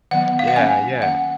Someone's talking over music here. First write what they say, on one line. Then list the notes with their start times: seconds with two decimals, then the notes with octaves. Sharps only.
Yeah, yeah.
0.11 D#3 F#3 B3 F#5
0.39 F5
0.48 F#5
0.56 D#3 A#3 C#4 G#5
1.02 D#3 A#3 C#4 F#5